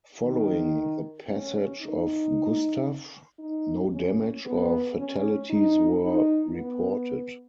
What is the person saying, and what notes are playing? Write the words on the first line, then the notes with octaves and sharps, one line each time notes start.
Following the passage of Gustav, no damage or fatalities were reported.
D#3
C#4
D#4
D#4
C#4
B3
C#4
D#4
D#4
B3